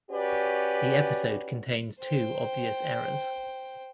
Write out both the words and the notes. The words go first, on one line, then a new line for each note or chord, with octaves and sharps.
The episode contains two obvious errors.
C#4 F#4 G4 B4 D5
C5 G5